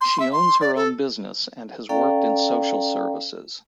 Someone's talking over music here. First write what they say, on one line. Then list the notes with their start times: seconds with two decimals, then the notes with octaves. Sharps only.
She owns her own business and has worked in social services.
0.01 C6
0.20 E5
0.33 C6
0.61 D5
0.76 A4
1.89 C#4 A4 D5 F5 G5 A#5